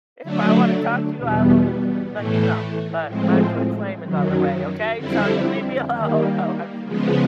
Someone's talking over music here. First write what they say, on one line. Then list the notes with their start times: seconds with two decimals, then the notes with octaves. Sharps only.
if I wanna talk to you, I will let you know, but my twin flame is on the way, okay? So you leave me alone. No, I'm just kidding.
0.23 D3 F#3 A3 D4
1.17 E2 B2 G3 B3
2.12 A2 E3 A3
3.07 A2 F3 G#3 C4
4.01 F#2 D#3 F#3
4.95 F2 D3 G3 C4 E4
5.90 D#3 G3 A#3
6.84 C#3 F3 G#3 B3